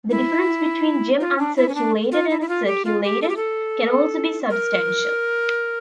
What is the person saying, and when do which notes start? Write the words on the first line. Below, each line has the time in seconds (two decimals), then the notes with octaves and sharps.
The difference between Gem Uncirculated and Uncirculated can also be substantial.
0.11 E4
1.20 F4
1.38 D4
1.56 E4
1.69 C#4
1.75 D4
2.12 F4
2.30 E4
2.41 E4
2.49 F4
2.66 G4
2.85 F4
3.04 G4
3.22 A4
3.29 G4
3.36 A4
4.50 A#4